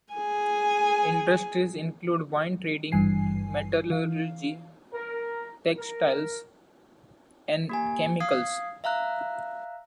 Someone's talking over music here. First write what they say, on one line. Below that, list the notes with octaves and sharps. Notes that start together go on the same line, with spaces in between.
Industries include wine-trading, metallurgy, textiles, and chemicals.
G#4 G#5
G#1 G2 E3 G#5 C7
E3 F5
A#4
A#4
A#3 G4 G#5
F5 D#6 G#6 C7
E5 F5 A#5 F#6